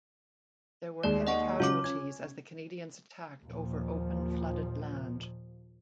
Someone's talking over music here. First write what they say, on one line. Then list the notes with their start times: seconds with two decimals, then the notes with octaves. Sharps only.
There were heavy casualties as the Canadians attacked over open, flooded land.
1.03 D#2 G#3 D5
1.27 D#5 F#5 C#6
1.60 C#3 F#3 F4 C#5 D6
1.84 C#4 G#6
3.43 D#2 A#2 F3